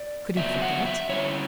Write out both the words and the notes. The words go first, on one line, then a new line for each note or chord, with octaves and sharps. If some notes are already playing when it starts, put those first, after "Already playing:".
Could he forget?
Already playing: D5
C#3 F#3 B3 E5
F#5
E5
D3 G3 C#4 E4 C#5